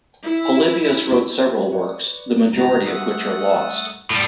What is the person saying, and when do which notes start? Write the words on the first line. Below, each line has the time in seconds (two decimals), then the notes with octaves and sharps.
Polybius wrote several works, the majority of which are lost.
0.24 E4
1.70 B4 C#5 D5
2.53 G#1 C#2 A#5
2.86 G3 A3 F#5 D#6
4.10 A2 G3 A4